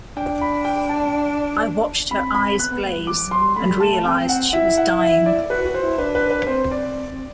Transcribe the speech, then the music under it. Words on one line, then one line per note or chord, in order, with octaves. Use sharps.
I watched her eyes glaze and realized she was dying.
D4 G5
B5
G5
A5
C4 B5
B5
B3 F#6
B3
A3
G3
E3 D6
F#3
C6
G3
A3 B5
G3
A3 A5
A3
C4 G5
F#5
E4 E5
F#5
E5
D5
F#4 B4
F#4
C5
E4
D4 B4
B4
B4
C4 C5
D5